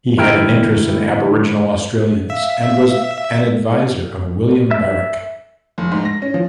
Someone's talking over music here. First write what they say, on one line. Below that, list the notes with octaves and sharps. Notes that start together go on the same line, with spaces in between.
He had an interest in Aboriginal Australians and was an adviser of William Barak.
D3 E3 E4 A#4 E5 G5
E5 F5
E5
F1
G#2
A#6
C#4
F3